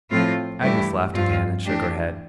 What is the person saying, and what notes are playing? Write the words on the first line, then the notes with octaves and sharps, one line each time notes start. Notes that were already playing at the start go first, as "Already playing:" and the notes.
Agnes laughed again, and shook her head.
A2 F3 C4 F4
G2 E3 A3 E4 G4
G2 F3 C4 F4
E3 A3 D4 G4